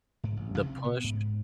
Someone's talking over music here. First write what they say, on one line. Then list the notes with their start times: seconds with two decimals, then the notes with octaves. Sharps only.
The push
0.24 G#2
0.37 A1
0.58 C3
0.84 B3
1.04 G#2